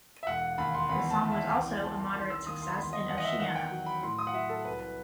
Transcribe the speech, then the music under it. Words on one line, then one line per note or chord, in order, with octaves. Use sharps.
The song was also a moderate success in Oceania.
E5
E1 F#5
D#2 B5
C6
E2 B5
A5
E2
E5
C2 G5
G5
C2 A5
C6
D#3 C6
E6
D#2 D#6
C6
B5
E2 C6
D#5
E2 F#5
D#5
E5
D#3 F#5
G5
F#3
B5
A2 C6
D#6
F#5
F#3 E5
A4
C2 B4
B4